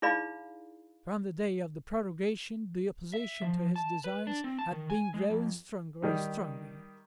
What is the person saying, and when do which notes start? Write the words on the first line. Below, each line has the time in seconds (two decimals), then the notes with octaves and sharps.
From the day of the prorogation the opposition to his designs had been growing stronger and stronger.
0.02 D#4 E4 G#4 D5 F5 B5
3.14 E5
3.42 F3
3.76 A5
4.04 B4
4.27 D4
4.44 C4
4.59 A5
4.72 D#3
4.90 G#5
5.14 G#3
5.30 F2
6.02 D#3 G3 D#4